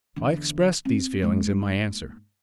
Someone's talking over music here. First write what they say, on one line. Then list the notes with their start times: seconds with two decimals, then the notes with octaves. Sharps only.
I expressed these feelings in my answer.
0.16 E2 D3
0.85 C4
1.22 G#2 A#3